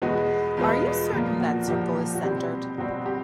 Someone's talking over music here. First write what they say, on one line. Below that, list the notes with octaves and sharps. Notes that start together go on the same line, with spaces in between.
Are you certain that circle is centered?
E2 B2 G#3 B3 F#4
E2 B2 G#3 B3 F4
A#2 F3 A#3 F4
F#4
A#2 F3 A#3 G4
G4
F#4
B2 G3 C4 G4
B2 G3 C4 F#4
G4